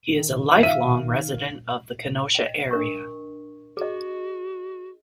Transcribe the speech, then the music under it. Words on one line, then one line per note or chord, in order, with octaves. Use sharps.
He is a lifelong resident of the Kenosha area.
D#3
E5 F5 D#7
D#5 G5
D4 A#4 C#6
F#4 G#4 D#5